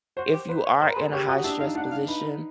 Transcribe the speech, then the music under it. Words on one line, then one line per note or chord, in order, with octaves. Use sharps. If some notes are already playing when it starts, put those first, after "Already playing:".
if you are in a high stress position,
F#4 C5
G4
B4 C5
C#5
A#4 C5
B4
G#4 C5
G4 C#5
F#4 D#5
D4 E5
D#4 F5
D4 F#5
F5
D#4 B4